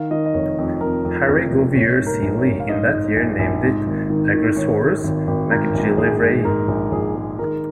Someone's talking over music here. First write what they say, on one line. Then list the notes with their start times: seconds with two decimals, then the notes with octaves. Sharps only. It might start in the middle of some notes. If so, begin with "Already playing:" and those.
Harry Govier Seeley in that year named it "Agrosaurus macgillivrayi".
Already playing: D#3 F5
0.11 D#3 D#5
0.26 D#5
0.34 F1 C#5
0.58 F2
0.81 F2 A#4
1.05 F2
1.28 F1
1.52 F1
1.75 A#1 C#5
1.98 G#2
2.06 A#4
2.22 A#1
2.38 C#5
2.46 G#2
2.60 F5
2.69 G#2 D#5
2.93 G#2
3.16 A#1
3.39 A#1
3.63 G#2
3.87 G#1
4.10 D#3
4.33 D#3
4.56 D#3 C#5
4.81 D#3
5.04 G#1
5.27 G#1
5.51 G#2 A#4
5.74 A#1
5.98 A#1 G#4
6.21 G#2
6.44 G#2 A#4
6.68 A#1
6.92 A#1 G#4
7.15 G#3
7.39 D#3 A#4